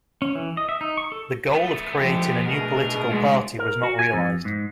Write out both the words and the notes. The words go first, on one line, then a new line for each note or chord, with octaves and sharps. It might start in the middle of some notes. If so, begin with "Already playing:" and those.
The goal of creating a new political party was not realized.
C#4
E3
D#5
E5
D#4
C#6
A4
A3 B3
F#2 D3 F3 G#3 G4
B2 A3 D4 G#4 A#4
G#2 G#3
A#4
F#4
G#5
F2
G#2